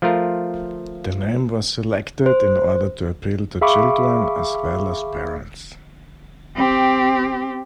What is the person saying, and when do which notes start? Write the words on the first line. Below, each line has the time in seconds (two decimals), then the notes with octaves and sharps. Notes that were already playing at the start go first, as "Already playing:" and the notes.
The name was selected in order to appeal to children as well as parents.
0.02 F3 A3 F4 A#4
2.26 C5
3.61 G#4 E5 F5 B5 C#6 D6
6.56 C4 G4